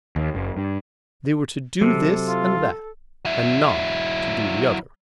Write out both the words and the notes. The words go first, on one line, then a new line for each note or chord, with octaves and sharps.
They were to do this and that, and not to do the other.
D#2
F#1
G2
C3 F#3 A4
F4
F#3 E4